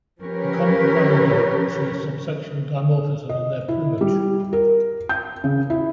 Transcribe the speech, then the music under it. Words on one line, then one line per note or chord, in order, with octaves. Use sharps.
The common ground dove shows some sexual dimorphism in their plumage.
F3 C#4 G4 A#4 B4 C#5
D#5
E4
G3
A#4
G6
C#3
E4